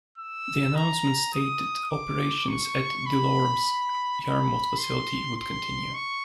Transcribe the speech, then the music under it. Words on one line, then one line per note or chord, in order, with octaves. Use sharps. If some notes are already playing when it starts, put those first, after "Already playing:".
The announcement stated operations at DeLorme's Yarmouth facility would continue.
E6
A#5
D#6
D6
C#6
B5
B5
C6
C6
C#6